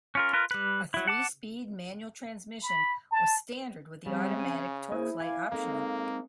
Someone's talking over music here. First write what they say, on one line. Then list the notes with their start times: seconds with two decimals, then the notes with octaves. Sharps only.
A three-speed manual transmission was standard with the automatic TorqueFlite optional.
0.15 C#4 F4 A#4
0.33 F4 A#4 B4
0.51 G3 B4
0.94 F#3 E4
1.07 F#5 A5 D6
2.63 B5
3.12 A5
4.06 C#3 G3 C4
4.39 C#4 G#5
4.92 A#3 E4 G#4 C5
5.20 F5 G#5 D6
5.52 G#3 A#3 C4 D#4 A4